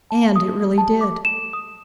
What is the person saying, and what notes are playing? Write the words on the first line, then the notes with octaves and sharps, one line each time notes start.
And it really did.
A5
D#6
A5
D6
E7
D#6